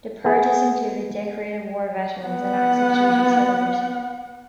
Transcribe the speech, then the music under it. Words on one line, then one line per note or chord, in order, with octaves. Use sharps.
The purges included decorated war veterans and active duty soldiers.
B3 G#4
B3 F#5